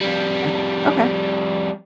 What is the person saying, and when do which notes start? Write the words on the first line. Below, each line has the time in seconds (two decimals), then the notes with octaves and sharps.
Yeah. Okay.
0.01 F2 G3